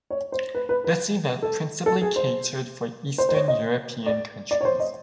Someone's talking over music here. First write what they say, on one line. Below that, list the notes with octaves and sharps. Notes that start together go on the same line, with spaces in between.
This event principally catered for Eastern European countries.
C#5
C5
B4
B4
B4
A4
A4
G#4
C5
C5
C5
C#5
D#5
D5
D5
C#5
C5
D#5